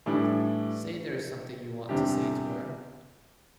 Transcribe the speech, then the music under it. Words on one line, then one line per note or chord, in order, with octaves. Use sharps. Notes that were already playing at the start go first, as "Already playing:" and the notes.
Say there's something you want to say to her.
A2 E3 G3 D4
E2 C3 G3 D4 G4